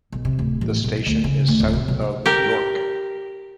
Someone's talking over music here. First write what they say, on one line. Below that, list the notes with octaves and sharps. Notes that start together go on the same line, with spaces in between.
The station is south of York.
B1
C3
D1
A1
B1
D2
C#3
D2
D1
C3
B1
G4 A#4